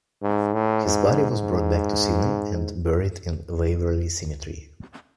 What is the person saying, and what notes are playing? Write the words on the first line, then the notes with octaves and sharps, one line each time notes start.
His body was brought back to Sydney and buried in Waverley Cemetery.
G#2
A2
G#2
G#2